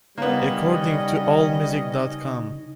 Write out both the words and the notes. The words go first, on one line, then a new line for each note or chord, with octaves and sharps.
According to Allmusic dot com.
C#3 G3 A#3 B3 C#4 D#4 D#5